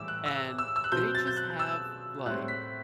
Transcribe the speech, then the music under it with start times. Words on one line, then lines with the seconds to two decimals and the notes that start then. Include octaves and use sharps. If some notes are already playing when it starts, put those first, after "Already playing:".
and they just have like,
Already playing: A2 E3 G3 D6 E6
0.08 F#6
0.26 E6
0.58 E6
0.76 E6
0.84 F#6
0.92 B2 F#3 C4 G6
1.15 A6
1.27 G6
1.37 F#6
1.59 E6
2.26 A2 G3 C4 F#6
2.48 B6